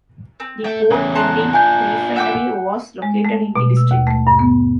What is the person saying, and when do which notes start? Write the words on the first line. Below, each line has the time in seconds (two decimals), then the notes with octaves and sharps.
The Port Reading Refinery was located in the district.
0.40 C4
0.64 A3 G5
0.91 E2 C#3 A3 C#4 C#5
1.15 A5 A#5 C6 F#6
1.53 D4 F4 G#5 G6
2.16 E5 F#5 G5 D6
3.02 G#3
3.25 A3
3.56 B2
3.77 E6
3.91 D#2
4.07 A3
4.27 G2
4.39 B3